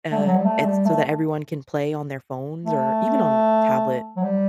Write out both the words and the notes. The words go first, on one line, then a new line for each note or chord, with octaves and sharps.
uh, at so that everyone can play on their phones or even on tablet,
A3
G3
F#3
G3
A3
G3
A3
A3
F#3
G3